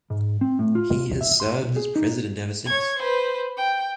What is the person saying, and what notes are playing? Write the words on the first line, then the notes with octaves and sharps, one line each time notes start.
He has served as president ever since.
G#2
C4
A2
F4
E5
C6
B1
G#4
D#4
C#5 G#6
B4 C5
G5